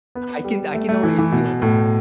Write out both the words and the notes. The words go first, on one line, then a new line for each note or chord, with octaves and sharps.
I can I can already feel that.
B3
G3
A3
A3
E3
E3
B2
A2